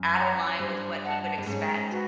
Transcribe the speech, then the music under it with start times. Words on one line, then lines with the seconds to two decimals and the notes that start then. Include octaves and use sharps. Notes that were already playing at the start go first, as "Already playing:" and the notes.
out of line with what he would expect.
Already playing: F#2
0.15 C#5 F#5 A#5
0.58 G2 C5
1.03 D#5 F#5 A5
1.38 G2
1.46 G#2 C#4
1.91 F#4 B4